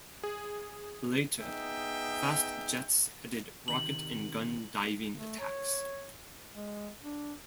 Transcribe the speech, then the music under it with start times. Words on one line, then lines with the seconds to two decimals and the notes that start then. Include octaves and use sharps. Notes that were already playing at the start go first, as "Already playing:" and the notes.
Later, fast jets added rocket and gun diving attacks.
0.23 G#4
1.41 B3 D#4 G#4 E5 G5
3.68 C3 D#3 F#7
5.16 A3
5.39 C#5
6.53 G#3
7.03 D4